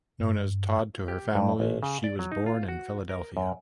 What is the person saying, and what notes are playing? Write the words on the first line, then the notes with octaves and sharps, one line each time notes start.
Known as "Tod" to her family, she was born in Philadelphia.
G2
G4
G2
A1
C#3
D5
F#3
D#4
F4
F#4
A#4
F#2